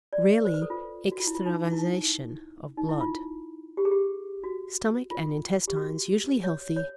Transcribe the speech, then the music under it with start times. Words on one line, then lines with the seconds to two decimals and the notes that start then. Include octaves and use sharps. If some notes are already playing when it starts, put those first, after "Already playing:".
Rarely extravasation of blood. Stomach and intestines usually healthy.
0.13 D5
0.45 C5
0.54 B4
0.62 A4
0.70 F4
1.12 F#4
1.20 F4
1.27 E4
1.35 F4
1.45 D#4
1.73 E4
1.78 D#4
2.77 D#4
2.89 E4
3.00 F4
3.77 G4
3.85 G#4
3.91 G4
4.44 F#4
5.11 F4
5.68 G4
5.76 F#4
6.43 C#5
6.76 C#5